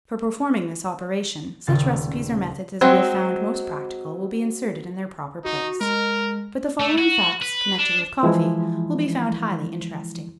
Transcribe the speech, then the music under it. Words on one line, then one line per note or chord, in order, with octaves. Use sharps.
For performing this operation, such recipes or methods as we have found most practical will be inserted in their proper place; but the following facts connected with coffee will be found highly interesting.
D#1 C#3 A6
F#3 G#3 C4
D#4 F#4
G#3 A#4
A3
F#4
B4
D4
E3 F3 G#3 E4